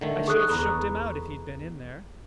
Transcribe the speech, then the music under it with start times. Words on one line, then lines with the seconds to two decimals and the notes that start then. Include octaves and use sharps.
"I should have shooked him out, if he'd been in there!"
0.01 D3 D#3 A3
0.28 G#4 A4 C#6 D#6 F#6
0.50 E2 A#5 B5